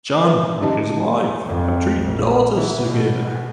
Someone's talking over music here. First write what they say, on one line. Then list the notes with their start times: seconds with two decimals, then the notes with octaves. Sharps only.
Chun and his wife have three daughters together.
0.24 A#4 B4 E5
0.61 D3 C#4 D#4 G4 D#5 A5
1.46 F2
2.03 A#1
2.55 E3
2.85 B2